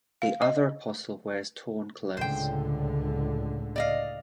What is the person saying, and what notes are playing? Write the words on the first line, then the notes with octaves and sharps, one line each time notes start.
The other apostle wears torn clothes.
F5
D#5
C#2 A2 D3 C5 G5
D5 D#5 F5